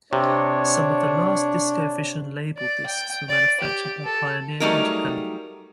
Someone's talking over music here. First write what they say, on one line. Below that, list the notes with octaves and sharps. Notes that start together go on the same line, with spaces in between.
Some of the last DiscoVision label discs were manufactured by Pioneer in Japan.
C3 D4 C#5
D5
G5
D5
G4
A4
F#3 G3 A3 D#4 G#4 A#4